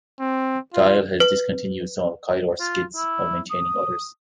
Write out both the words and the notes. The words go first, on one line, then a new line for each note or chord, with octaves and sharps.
Thile has discontinued some of Keillor's skits, while maintaining others.
C4
F4
B4
F4
E4
D#6